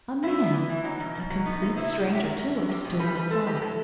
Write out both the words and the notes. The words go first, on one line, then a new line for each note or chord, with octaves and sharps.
A man--a complete stranger to her--stood outside.
G2 E4
B3
E3
E3
F#3 D#4
B2
B2
F#3
B3 D#4
C3 D#4
C3 E4
C3
F#2 F#4
G4
F#2 F#4
F#2
F#2
E2 G4
B2
G3 B4
G3 B4
C4 A4
A2 G4
B4
A2 A4